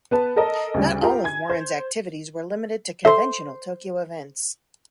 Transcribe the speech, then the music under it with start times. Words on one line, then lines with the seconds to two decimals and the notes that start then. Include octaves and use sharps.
Not all of Warren's activities were limited to conventional Tokyo events.
0.11 B3 B4 A5
0.36 A4 A#4 D#5 A5
0.74 D2 C#3 G3
1.01 F4 G4 A#4 A#5
1.24 G#5 G#6
1.50 C5
3.05 A4 C5 E5 C6